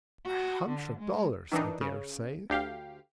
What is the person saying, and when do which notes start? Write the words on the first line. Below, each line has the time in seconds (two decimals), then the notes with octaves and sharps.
'A hundred dollars, I dare say.
0.25 F#4
0.69 D3
0.99 G#3
1.52 D#3 E3 D4 D#4
1.81 C#3
2.50 D2 G4 F5